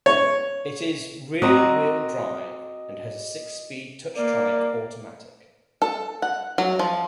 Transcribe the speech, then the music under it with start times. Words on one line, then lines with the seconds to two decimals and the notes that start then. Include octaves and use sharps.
It is rear-wheel drive and has a six-speed Touchtronic automatic.
0.06 C#5
1.42 C4 F#4 D#5 A#5 D6 D#6
4.16 A#3 D5
5.82 A4
6.22 F#5
6.58 F#3
6.79 F3